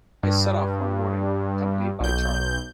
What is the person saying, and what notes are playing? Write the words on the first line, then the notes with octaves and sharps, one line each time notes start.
I set off one morning, accompanied by Charley.
G2
B1 G6